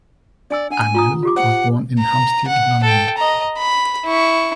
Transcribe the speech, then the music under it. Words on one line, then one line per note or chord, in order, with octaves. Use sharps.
Arnell was born in Hampstead, London.
D4 D5 G#5 E6
D4 F#5 G#5
F4 A#5 D#6
F4 G4 D6
C5 F#5
A#5
F#5
A4 G5
D#5 A#5
B5
E4 C#6